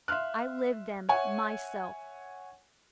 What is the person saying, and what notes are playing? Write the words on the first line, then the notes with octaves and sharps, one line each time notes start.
I lived them myself.
E5 F5 C6 F6 F#6
C#5 E5 F#5 G#5